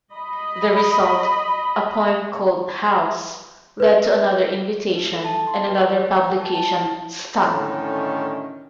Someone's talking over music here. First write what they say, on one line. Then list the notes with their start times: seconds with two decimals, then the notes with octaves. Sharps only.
The result, a poem called "house", led to another invitation and another publication "Sta!".
0.14 D#5 B5
3.80 B4
4.96 D#4
5.12 A4
5.24 A5
5.47 C6
5.68 B4
5.92 C#5
6.07 G4
6.24 G5
6.40 A5
6.55 A5
6.78 E4
7.38 C2 A2 D3 D#3 C#4